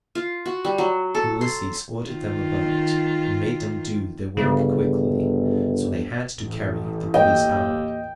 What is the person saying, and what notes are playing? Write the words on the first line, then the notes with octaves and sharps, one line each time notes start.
Ulysses ordered them about and made them do their work quickly, so they had to carry the bodies out.
F4
F#4
G3
F#3
A4
C6
D#3 F4
G1 C#3
A1
D#2 D#5 G5